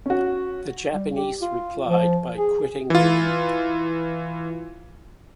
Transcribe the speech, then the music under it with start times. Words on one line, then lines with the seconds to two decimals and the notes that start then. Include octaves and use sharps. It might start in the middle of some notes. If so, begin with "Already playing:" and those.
The Japanese replied by quitting the League.
0.06 C#4 F#4
0.94 G3
1.13 G4
1.42 F4
1.87 F3
2.36 G#4
2.90 E3 F4